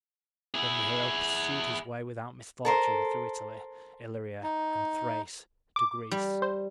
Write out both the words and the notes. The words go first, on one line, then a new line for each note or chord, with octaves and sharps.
Then the hero pursued his way without misfortune through Italy, Illyria and Thrace to Greece.
E4 G#4
A4 A#4 C5
D#4
D6
G3
C5